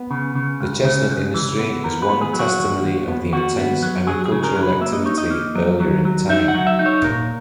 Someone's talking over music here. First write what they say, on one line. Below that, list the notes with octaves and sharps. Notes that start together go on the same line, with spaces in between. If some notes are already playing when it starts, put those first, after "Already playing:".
The chestnut industry is one testimony of the intense agricultural activity earlier in time.
Already playing: B3
C#3
C#3
C#2
C#3
C#2
E3
B3
D#2 A#4
B4
B3
G#4
F#3
F#4
D#2
D#2
B3
D#2 F#4
B3
F#3
F#3 G#4
G#4
C#3
A#4
F#3
B4
A#3 E5
D#5
D#4 C#5
D#5
A#3
F#3
F#3
F#3
D#4 E5
F#5
F#3
E5
D#4
C#5
A#2 A#4